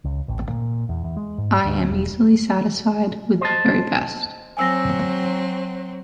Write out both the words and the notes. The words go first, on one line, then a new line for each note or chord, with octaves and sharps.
I am easily satisfied with the very best.
C#2
A1
A#2
E2
E2
G#3
G#2
D2
E1
C5 D#5 A5
F#3 C4 G#5 E6 A#6